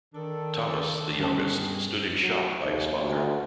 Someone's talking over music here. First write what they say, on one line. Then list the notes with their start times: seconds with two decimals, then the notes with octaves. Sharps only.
Thomas, the youngest, stood in shock by his father.
0.14 D#3 D4 A4
1.20 G2 B2 C#4 G#4 A5
2.22 F#3
2.62 D#2
3.02 D2